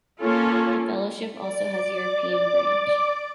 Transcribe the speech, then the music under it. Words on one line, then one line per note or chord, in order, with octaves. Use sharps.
The Fellowship also has a European branch.
A#3 C#4 F4 A4
D5 D6